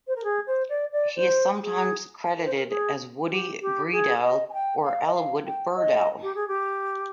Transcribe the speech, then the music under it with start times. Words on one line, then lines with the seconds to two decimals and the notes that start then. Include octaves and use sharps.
He is sometimes credited as Woody Bredell or Elwood Burdell.
0.07 C5
0.15 A#4
0.24 G#4
0.47 C5
0.69 D5
0.92 D5
1.16 C5
1.61 G#4
2.38 A#4
2.45 C5
2.53 A#4
2.69 G#4
3.30 G4
3.61 G4
3.92 G#4
4.22 D#5
4.49 G#5
4.53 G5
4.83 F5
5.06 D#5
5.14 F5
5.45 G5
5.76 D#5
6.22 G4
6.35 G#4
6.47 G4